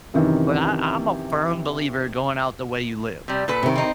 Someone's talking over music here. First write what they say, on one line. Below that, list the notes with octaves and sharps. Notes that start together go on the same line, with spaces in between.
but I I'm a firm believer going out the way you live,
F#2 C3 D#3 E3
C3 G3
A#2 A4 B4
C3 D#3
C4 D#4